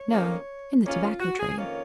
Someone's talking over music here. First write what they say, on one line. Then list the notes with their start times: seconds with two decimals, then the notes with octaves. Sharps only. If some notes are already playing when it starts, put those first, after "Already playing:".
'No, in the tobacco trade.'
Already playing: C#5
0.11 F2 D#3 A#3 C#4 F4
0.84 F2 D#3 A#3 C#4 F4 C#5
1.03 F4
1.20 F#4
1.39 G#4
1.57 F2 D#3 A#3 C#4 F4 C#5